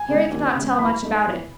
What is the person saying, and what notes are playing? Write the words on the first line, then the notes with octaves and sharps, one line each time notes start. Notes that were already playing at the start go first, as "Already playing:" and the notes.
Harry could not tell much about it.
Already playing: G#5
C#3 G#3
D#2
C#3 G#3
E3 B5
A3 D#4 A4
E3